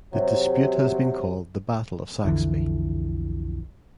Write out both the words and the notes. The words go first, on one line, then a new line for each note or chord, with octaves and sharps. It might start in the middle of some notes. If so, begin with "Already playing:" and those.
The dispute has been called the "Battle of Saxby".
C3 F#3
B1 F2 D3 E3